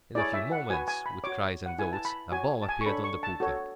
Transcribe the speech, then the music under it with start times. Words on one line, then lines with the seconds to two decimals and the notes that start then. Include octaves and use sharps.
In a few moments, with cries and oaths, a bomb appeared on the poop-deck.
0.15 E4 G#4 C#5 D5
0.34 E5
0.52 F#5
0.70 F#4 B4 G#5
0.88 G#5
1.06 B5
1.24 F#4 C#5 D6
1.66 F#5
1.78 E4 B4 G#5
1.93 A5
2.05 B5
2.32 F#4 C#5 G#5
2.62 A5
2.69 G#5
2.81 C#6
2.86 D4 A4 C#5 B5
3.04 C#6
3.23 A5
3.40 F#4 A4 C#5